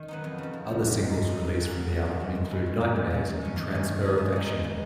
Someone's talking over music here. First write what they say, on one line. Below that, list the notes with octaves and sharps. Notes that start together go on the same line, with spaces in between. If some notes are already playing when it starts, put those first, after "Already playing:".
Other singles released from the album include "Nightmares" and "Transfer Affection".
Already playing: D#3
F#3 B3 D#4
F2
C#3 F3
F2
C#3 F3
C#3
G#3 D#4
C#3
G#3 D#4
C#3
F#3 A#3 C#4
C#3
F#3 A#3 C#4
B2
G#3 C#4
B2
G#3 C#4
C#3
G#3 C#4
C#3
G#3 C#4
D#3
A#3 C#4
D#3
A#3 C#4
D#3
G#3 D#4
D#3
G#3 D#4
B2
G#3 D#4